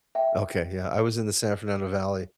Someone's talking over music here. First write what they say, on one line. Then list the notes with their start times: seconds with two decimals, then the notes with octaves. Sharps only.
Okay, yeah, I was in the San Fernando Valley.
0.15 E5 G5